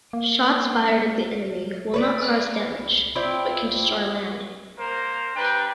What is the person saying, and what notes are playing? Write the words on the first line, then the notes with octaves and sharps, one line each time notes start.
Shots fired at the enemy will not cause damage, but can destroy land.
A#3
B4 C#5 D5
C4 E4 F4 D5
A#3 A#4 C5
G3 D4 B4 G5 A#5